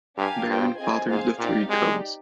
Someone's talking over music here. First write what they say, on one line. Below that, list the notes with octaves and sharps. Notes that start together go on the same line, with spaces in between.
Baron fathered the three cubs.
G2 D4 G4 A#4 F5 G#5
G2 F4 C5 G5
C4 F4 G#4 D#5 G#5
G#2 G#4 C5 F5 G#5
A#2 C4 D#4 G4 D5 F5
G#3 D#4 G4 D5